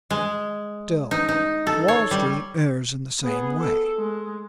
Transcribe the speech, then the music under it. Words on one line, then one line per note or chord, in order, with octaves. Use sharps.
Still, Wall Street errs in the same way.
G#3
D#4
D#4
A4
C#5
G3
B3 G#4
A4
G#3